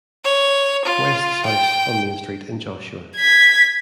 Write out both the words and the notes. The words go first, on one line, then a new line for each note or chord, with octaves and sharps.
West's house on Main Street in Joshua.
C#5
F4
G5
G#6 B6